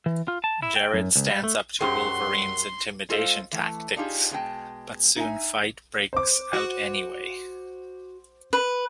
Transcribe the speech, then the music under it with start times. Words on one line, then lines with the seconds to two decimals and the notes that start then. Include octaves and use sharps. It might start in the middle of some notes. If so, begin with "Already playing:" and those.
Jared stands up to Wolverine's intimidation tactics but soon fight breaks out anyway.
0.06 E3
0.28 F4
0.44 A5
0.62 E4
0.76 G5
0.94 F#2
1.16 C#2
1.31 G3
1.44 A3
1.81 F#2 F#3 G4 G#4 C5 C6
3.09 G#3 F4 A4 C5 D#5 F5
3.52 E3 A3
3.96 D4 D#4 F4 G4 G#4
4.31 B2 G#3 A#3 D4 G5 A5
5.16 D#4 E5 G#5
6.13 C5 D6
6.53 F#4
8.53 B4